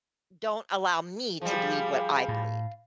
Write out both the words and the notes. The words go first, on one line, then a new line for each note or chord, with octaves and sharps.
don't allow me to believe what I believe,
F3 G3 G#4 F5
A2